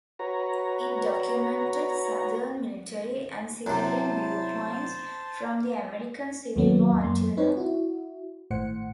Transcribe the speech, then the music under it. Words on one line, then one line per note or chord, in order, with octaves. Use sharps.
It documented Southern military and civilian viewpoints from the American Civil War until now.
F#4 B4 C#5 A#5
F#2 C3 E4 C5 A5
D#2 G#2 F#3 A#3 B3 C#4
F#2 A#3 C6
C4 D#4 B4 C#5
E4 F#4
G#1 A2 C5 F#5 C#7